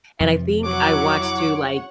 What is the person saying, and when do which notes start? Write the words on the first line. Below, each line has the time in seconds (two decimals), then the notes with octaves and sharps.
and I think I watched through, like,
0.20 F2 C3 F3
0.64 F#3 E4 C#5 F#5 C#6 D6